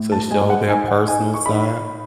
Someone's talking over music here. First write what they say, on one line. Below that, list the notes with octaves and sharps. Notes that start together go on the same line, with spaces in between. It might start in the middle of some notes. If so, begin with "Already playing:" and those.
to show their personal side,
Already playing: A2
A5
G#3 G#5
F#5
D#4 G#5
F#5
D#4 G#5
C#6
D#4 B5